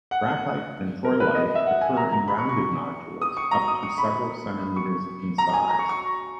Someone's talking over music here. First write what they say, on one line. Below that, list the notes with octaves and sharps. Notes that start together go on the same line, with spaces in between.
Graphite and troilite occur in rounded nodules up to several cm in size.
F#5
A#4
B4
D#5
D#5
E5
F#5
G#5
A#5
A#5
B5
C#6
C#6
D#6
C#6
A#5
D#6
C#6
B5
C#6
A#5
G#5
A#5
C#6
C#6